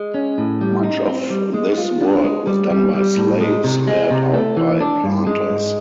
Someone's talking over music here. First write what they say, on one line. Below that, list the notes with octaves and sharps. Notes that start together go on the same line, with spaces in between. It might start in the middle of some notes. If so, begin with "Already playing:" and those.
Much of this work was done by slaves hired out by planters.
Already playing: G#3
C#4
A2
G3
D#4
C4
G3
G#3
F4
D4
G#3
G3
G3
G3
A2
G#3
C3
G#3
C3
A3
E3
D4
G2
G#3
G#2